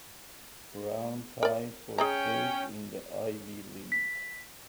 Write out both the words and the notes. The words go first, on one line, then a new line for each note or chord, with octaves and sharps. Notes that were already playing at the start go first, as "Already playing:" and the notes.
Brown tied for first in the Ivy League.
A#4 D5
C#4 G#4 D#5 G5 A#5
B6